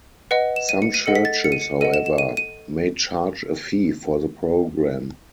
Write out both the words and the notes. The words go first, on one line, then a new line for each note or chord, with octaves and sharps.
Some churches, however, may charge a fee for the program.
B4 D#5 F#5
E7
D#7
C#7
D#7
A4 D#5 F#5 C#7
B6
A6
B6
C#7
D#7
C#7
A4 D#5 F#5 D#7
E7
E7
D#7
D#7